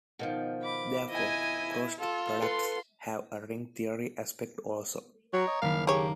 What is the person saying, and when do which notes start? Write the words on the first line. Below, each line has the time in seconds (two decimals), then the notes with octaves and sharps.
Therefore crossed products have a ring theory aspect also.
0.19 B2 D#3 F3
0.63 B5 D6
1.10 E4 D#5 G#5
2.00 F4 A4
2.42 A4 B4 C6
5.33 F#3 C#5 G5 A#5
5.47 D#5
5.62 F#1 D#3 A#3 F5 B6
5.87 A#3 G4 G#4 C#5